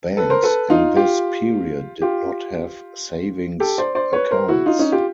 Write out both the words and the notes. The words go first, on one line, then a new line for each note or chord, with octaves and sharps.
Banks in this period did not have savings accounts.
A4 B4
A#4 C5
A4 B4
D#4 F4
F4 G4
F4 G4
G4 A4
C5 D5
C5 D5
B4 C#5
A#4 C5
E4 F#4
D#4 F4
C#4 D#4
F4 G4